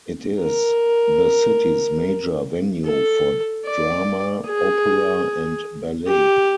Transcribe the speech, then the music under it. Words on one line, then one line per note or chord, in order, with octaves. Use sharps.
It is the city's major venue for drama, opera and ballet.
A#4
A4
D5
G#4
G4